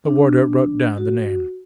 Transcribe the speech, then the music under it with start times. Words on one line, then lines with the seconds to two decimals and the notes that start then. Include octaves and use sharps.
The warder wrote down the name.
0.05 D4
0.98 F#4